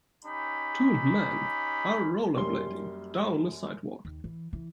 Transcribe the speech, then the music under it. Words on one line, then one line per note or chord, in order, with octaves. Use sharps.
Two men are rollerblading down a sidewalk.
C#4 D#4 G4 B5
F#2 G3 A#3 C6 G7
D#2
E3
E3